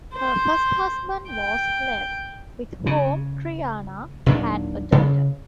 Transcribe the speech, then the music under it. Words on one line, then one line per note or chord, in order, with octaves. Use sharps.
Her first husband was Lev, with whom Triana had a daughter.
C5
G5
C#3
D#2 A#2 F#3 D4
C#3